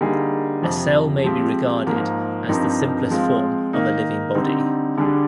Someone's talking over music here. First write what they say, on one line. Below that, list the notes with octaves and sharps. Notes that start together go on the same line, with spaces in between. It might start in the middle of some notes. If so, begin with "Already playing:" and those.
A cell may be regarded as the simplest form of a living body.
D3 G3 A#3 D#4 G#4
F2 C3 F3
F3 G#3 C4 G4
G#2 F3 A#3
G2 F3 C4 D#4 A#4
F3 G#3 C4 F4
D#3 A#3 D#4 A#4
D3 G3 C4 D#4
D3 G3 D4 G#4